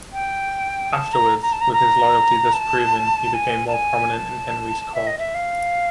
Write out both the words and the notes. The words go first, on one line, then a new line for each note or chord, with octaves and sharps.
Afterwards, with his loyalty thus proven, he became more prominent in Henry's court.
G5
A5
A#5
A#5
A5
A#5
A#5
A5
G#5
A5
G#5
A5
E5
D#5
E5
F5